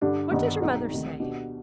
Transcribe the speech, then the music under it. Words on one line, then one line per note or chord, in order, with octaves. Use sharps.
What does your mother say?
G2 D3 G3 D4
G1 G2 D#3 B3 D#4
B1 B2 G#3 C4 D#4
D2 C3 D#3
B2 B3 D4 G4